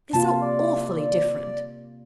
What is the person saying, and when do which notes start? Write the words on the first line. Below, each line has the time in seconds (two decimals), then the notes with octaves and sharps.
They're so awfully different!'
0.13 C3 A#3 F4 A5
0.42 D5